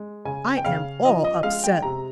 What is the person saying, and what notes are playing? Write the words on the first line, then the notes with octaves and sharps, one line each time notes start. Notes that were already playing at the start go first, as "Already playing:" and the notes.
I am all upset!
Already playing: G#3
C#3 G#5
G5
C#3 F5
F3 D#5
D#5
G#3 F5
G5
C3 A#5